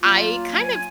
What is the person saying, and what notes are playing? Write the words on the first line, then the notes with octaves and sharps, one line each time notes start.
I kind of
F#3 A#3 F4
G#5